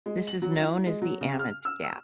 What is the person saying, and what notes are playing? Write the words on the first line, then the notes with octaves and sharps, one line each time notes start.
This is known as the "amn't gap".
G#3
F#7
F#3
E4
G#3
F#3
C#3
F6
E6
E6